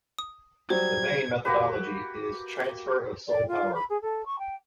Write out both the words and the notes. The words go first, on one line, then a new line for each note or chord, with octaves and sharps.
The main methodology is transfer of Soul Power.
D#6
F#3 G3 C5 G#6
A#3 F#4 G4 B4
D5
F4
B5
G#4
A4
C#6
G5